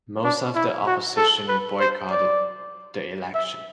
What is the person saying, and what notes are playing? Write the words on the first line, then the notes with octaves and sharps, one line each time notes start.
Most of the opposition boycotted the election.
D4
E4
F#4
A4
B4
C5
D5
E5